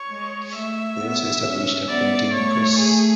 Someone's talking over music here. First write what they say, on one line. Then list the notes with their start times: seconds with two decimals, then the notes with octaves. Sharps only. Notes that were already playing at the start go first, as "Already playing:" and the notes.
They also established a printing press.
Already playing: C#5
0.10 G#3
0.55 A3 E5
1.00 B3
1.44 C#4
1.89 B3 D5
2.33 A3 C#5
2.79 G#4